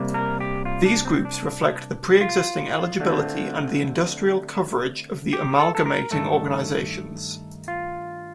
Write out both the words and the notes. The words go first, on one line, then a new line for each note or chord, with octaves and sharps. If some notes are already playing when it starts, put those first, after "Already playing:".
These groups reflect the pre-existing eligibility and industrial coverage of the amalgamating organisations.
Already playing: C3 G3 A#3
A#4
G4
F4
D4
C4
D4
F4
D3 A3 C4
G4
A4
A4
A#4
G2 D#3 A3 A4
F4